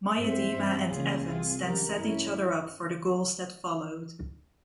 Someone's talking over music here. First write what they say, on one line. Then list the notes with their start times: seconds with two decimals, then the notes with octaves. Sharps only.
Miedema and Evans then set each other up for the goals that followed.
0.18 G2 E3 G#3 C4 C5 E5
0.55 G2 G3 C4
0.89 C#2 C#3 E3 A#3 C#4 F4 G#4
1.26 C2 C3 G3 C4 F4 G#4
1.61 C#2 C#3 E3 G4 A#4
1.96 G2 E3 G3 C#4 E4